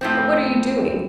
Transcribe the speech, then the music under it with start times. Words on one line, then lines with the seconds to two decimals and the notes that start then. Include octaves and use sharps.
But what are you doing?
0.01 A2 F3 C4